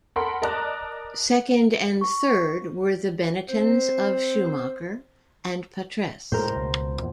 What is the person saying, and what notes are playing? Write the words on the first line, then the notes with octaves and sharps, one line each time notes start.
Second and third were the Benettons of Schumacher and Patrese.
A4 A#4 F#5 B5 C6
A#4 D5 D#5 A5 A#5 F#6
C#6
C4 C5
A2 C3 G#3 A#4 C5
C#2 B2
E2 A#2